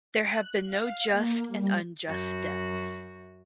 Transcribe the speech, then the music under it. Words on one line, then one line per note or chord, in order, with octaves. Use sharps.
There have been no just and unjust deaths.
F#6
F5
A#3
G3
F#2 F#4